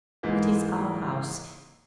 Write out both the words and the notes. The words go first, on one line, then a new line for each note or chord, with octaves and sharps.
It is our House.
G#2 E3 G#3 A#3